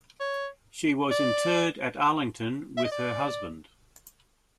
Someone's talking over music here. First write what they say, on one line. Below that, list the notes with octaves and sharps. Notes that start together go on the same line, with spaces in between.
She was interred at Arlington with her husband.
C#5
D5
E5
D#5
D5